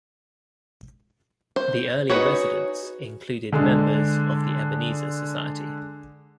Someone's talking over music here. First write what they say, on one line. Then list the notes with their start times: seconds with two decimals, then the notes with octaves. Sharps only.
The early residents included members of the Ebenezer Society.
1.56 C5
2.10 D#4 F#4 G#4 B4 C#5
3.52 D3 G#3 D4